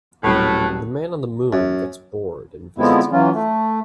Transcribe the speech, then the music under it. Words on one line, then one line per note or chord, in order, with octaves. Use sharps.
The man on the moon gets bored and visits Earth.
D#1 A2 C3 F#3 B4
F#2
D3 F3 G#3 B3 C4 E4
E3 F#3 C#4 F4
A3